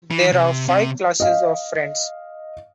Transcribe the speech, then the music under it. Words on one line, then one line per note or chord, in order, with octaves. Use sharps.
There are five classes of Friends.
E3
C3
C3
D#5 F5